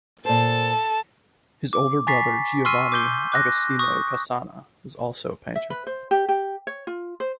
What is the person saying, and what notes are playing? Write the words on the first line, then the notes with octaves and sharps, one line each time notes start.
His older brother Giovanni Agostino Cassana was also a painter.
A#2 A4 C5 A5
D6
G#5 A#5 C#6 A6 B6 C7
C6 C#6 E6 F6 C7 D#7
D6 G6 G7
D6 F#6 A#6
C#6 D#6
E5
B4
C5
G4
G4
C#5
F4
C5